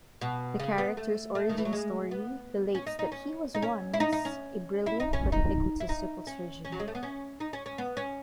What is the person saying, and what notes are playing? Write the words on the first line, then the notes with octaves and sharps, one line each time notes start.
The character's origin story relates that he was once a brilliant but egotistical surgeon.
B2
C#3
B3
A3
A3
D#3
E3
F#3
G#3
B3
C#4
D#4
D#4
C#4
D#4
C#4
E4
D#4
D#4
C#4
E4
D#4
C#4
D#4
E4
D#4
C#4
C#4
F#3
G#3
A3
B3
C#4
D#4
C#4
C#4
B3
C#4